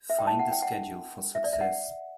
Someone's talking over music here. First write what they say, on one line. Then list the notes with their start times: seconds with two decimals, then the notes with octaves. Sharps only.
Find the schedule for Success.
0.10 E5
0.19 G5
0.27 A5
0.39 F#5
0.51 G5
0.62 F#5
1.35 E5
1.44 D5
1.53 E5
1.61 F#5